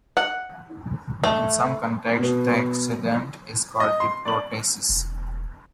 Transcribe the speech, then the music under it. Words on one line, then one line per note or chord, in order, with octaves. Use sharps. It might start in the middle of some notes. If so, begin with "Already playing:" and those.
In some contexts the antecedent is called the protasis.
F#5
A3
B2 B3
D#5
C6
D5 C#6 F#7
E1